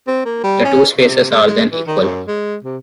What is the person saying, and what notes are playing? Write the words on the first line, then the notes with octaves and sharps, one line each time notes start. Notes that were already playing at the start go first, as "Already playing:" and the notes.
The two spaces are then equal.
C4
A#3
G3
C#4
C3
G#3
G#3
E3
D#3
F#2
G#3
C3